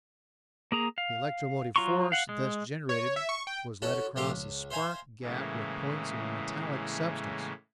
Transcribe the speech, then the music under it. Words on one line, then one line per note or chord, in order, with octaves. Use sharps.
The electromotive force thus generated was led across a spark gap with points of a metallic substance.
A#3 G#4 A#5
F5
F#3 F4 A#5 C6 C#6
F5 F#5
G#3
C#5
E5
C#6
G5
C#4 E4 F#4 A4
A#1 A3 C4 G4 F5 D6
C#2
C5 E5 F5 G#5 A#5 C6
A2 C#3 E3 G#3 A#3